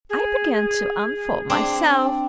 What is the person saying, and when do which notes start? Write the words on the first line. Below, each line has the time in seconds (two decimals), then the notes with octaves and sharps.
I begin to unfold myself.
0.10 G#4
1.50 C4 D4